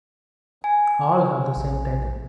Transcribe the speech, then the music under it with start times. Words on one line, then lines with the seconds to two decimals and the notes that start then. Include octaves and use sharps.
All have the same title.
0.64 G#5
1.56 A#1